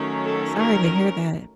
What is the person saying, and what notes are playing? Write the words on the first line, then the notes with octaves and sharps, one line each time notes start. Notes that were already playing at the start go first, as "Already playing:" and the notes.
sorry to hear that.
Already playing: D#3 F#3 A3 C#4
A4
A#4